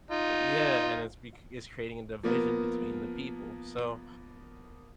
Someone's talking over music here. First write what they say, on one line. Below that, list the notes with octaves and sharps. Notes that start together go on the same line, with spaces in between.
U yeah, and it's bec it's creating a division between the people, so,
D#4 F4
F3 A#3 B3 A#4